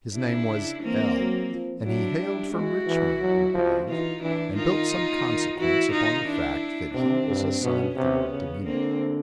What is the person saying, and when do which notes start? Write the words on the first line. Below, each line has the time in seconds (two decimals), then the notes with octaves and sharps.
His name was L--, and he hailed from Richmond, we believe, and built some consequence upon the fact that he was a son of the Old Dominion.
0.14 C3 D4 E4
0.48 C#3
0.82 E3 A#3 C4
1.16 F#3
1.50 F3
1.84 F#3 D4 E4
2.19 G3
2.52 G#3 E4 F#4
2.86 E3
3.20 F#3
3.54 F3
3.88 E3 D#4 F4
4.22 E3 D4 E4
4.56 D#3 D#4 F4
5.24 D#3
5.58 E3 E4 F#4
5.91 D#3 D#4 F4
6.26 D4 E4
6.94 C3 C4 D4
7.28 G2
7.62 B2 B3 C#4
7.95 C3 B3 C#4
8.30 C#3
8.64 D3 A#3 C4